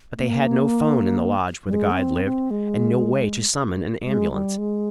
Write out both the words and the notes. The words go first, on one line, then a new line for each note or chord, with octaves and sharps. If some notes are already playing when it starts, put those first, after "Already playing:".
But they had no phone in the lodge where the guide lived and no way to summon an ambulance.
A#3
G3
G#3
C#4
C4
C4
G#3
G#3
G3
G#3